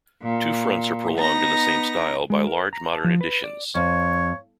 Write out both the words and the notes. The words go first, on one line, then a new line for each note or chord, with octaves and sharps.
Two fronts are prolonged in the same style by large modern additions.
A#2
B3 D#4 A#5 A#6
G#3
A#4
A#5
A5
F3
B4
D5
F2 C#5